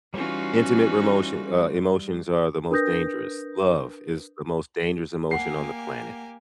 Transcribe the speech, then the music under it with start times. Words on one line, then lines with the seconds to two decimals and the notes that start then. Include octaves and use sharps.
intimate remotion, uh, emotions are the most dangerous. Love is the most dangerous emotion on the planet.
0.14 E3 G3 C#4 D#4 F4 F#4
2.70 D4 A#4 B4 D#6 G6 A#6
5.31 A#3 G4 F#5 G#5 C7